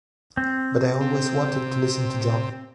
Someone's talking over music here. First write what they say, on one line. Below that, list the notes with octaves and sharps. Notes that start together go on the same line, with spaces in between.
But I always wanted to listen to John.
C4
C3